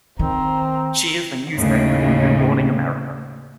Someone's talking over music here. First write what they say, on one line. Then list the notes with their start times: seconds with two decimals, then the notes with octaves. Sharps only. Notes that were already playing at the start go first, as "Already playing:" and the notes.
She is the News Anchor for "Good Morning America".
0.19 D#3 C4 C5 A#5
1.55 D#2 A2 C#3